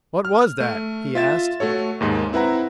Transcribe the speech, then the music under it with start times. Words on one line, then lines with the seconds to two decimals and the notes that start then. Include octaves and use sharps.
"What was that?" he asked.
0.25 F6
0.60 A3
1.15 F4 E5 A6 E7
1.60 A3 F#4 A4 C#5
2.01 D#2 G#2 G#3 A#3
2.33 C4 E4 B4 F#5 A#5